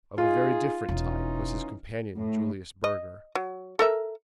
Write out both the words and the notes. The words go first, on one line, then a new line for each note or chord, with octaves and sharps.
Of a very different type was his companion, Julius Burger.
D#4 F4 G#4
E1 E3 C#4 D#4 E4
A2
D#5
F#3
A4 A#4 E5